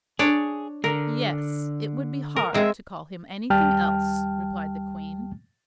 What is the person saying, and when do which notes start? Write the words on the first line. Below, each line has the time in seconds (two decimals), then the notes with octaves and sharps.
"Yes, it would be hard to call him anything else," replied the Queen.
0.19 D4 G#4 C#5 D5
0.84 D3 A#4
2.36 A#4
2.54 G#3 C4 E5
3.50 D#2 G3 G5 A5 F6